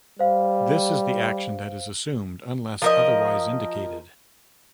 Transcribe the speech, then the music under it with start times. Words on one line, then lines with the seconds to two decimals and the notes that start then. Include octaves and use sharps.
This is the action that is assumed unless otherwise indicated.
0.19 G3 C5 F5
2.82 F3 A#4 D#5